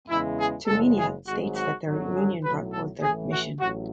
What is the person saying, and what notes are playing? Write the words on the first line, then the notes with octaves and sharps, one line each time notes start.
Tumminia states that their union brought forth their "mission".
E2 C#3 E3 G#3 E4
G#4
F#1 E2 C#3 G#3 A4
G#4
G#1 G#2 F#3 F#4
F#4
G#1 F#2 D3 F#3
G#4
B1 A2 F#3 B4
A4
A1 A2 E3 G#4
F#4
A1 A2 F#3 F#4